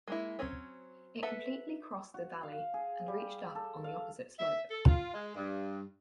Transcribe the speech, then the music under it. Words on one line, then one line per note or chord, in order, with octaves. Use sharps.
It completely crossed the valley and reached up on the opposite slope.
G#3 A#3 E4
F#3 C4 C#4
A4 B4 E5 F#5 A5
F#4
F5
G#4
G3
A4
F5
E5
A4
F4
G#3
G2